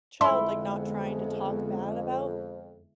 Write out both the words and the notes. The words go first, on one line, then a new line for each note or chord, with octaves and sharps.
child, like, not trying to talk bad about
F2 D3 G#3 B3 E4 B5 C6